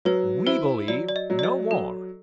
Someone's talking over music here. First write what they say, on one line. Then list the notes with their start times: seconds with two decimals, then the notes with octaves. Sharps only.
We believe no more.
0.05 F#3 B4
0.47 E4 C5
0.88 F#3 D5
1.09 D5
1.16 D#5
1.30 F#3
1.39 D5
1.43 D#5
1.71 F#3 A4